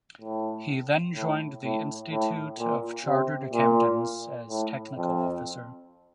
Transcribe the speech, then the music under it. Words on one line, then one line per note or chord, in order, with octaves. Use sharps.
He then joined the Institute of Chartered Accountants as Technical Officer.
A2
A2
A2
A2
A#2
C3
A#2
A2
F2